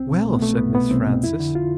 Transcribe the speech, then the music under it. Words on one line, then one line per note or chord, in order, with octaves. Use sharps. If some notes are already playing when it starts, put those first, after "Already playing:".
"Well!" said Miss Frances.
Already playing: C2 C4
B2
C2 A3
B3
B2 A3
C2 B3
B2 B3
C2 C4
B2
F2 E4
D3
F4